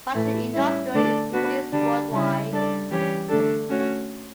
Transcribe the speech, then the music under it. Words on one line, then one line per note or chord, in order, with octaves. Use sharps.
Martial industrial is produced world-wide.
A2 E3 A3
G3 C#4 E4
D3 A3 D4 A4 D5
B3 D4 F#4 B4
D3 G3 D4
C#3 G3 C#4 E4
G3 D4 A4 D5
E3 G3 C#4 G4 C#5
D3 A3 D4 A4
A3 C#4 F#4 C#5